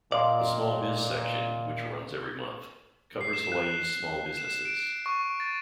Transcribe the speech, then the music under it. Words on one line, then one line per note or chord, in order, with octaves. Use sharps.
The SmallBiz section, which runs every month, covers Hawaii's small businesses.
A#2 D5 D#5 F5 C6
C7
E7
F#6
E7
D7
C#6
A6